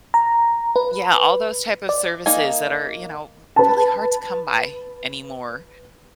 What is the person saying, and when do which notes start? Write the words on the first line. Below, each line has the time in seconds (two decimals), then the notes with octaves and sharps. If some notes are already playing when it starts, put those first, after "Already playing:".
Yeah, all those type of services that are, you know, r really hard to come by anymore.
0.14 A#5
0.76 B4
1.89 D5
2.26 A#3 D#4 G#5
3.56 B4 A5